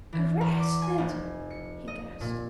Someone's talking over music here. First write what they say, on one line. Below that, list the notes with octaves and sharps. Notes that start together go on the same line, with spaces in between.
"Arrested!" he gasped.
E3
E2
D6
G#5
F1
C#7
D#5
A#2